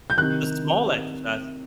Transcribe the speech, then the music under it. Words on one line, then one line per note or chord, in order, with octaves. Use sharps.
the small exercise
G6
C3 D#3 F#6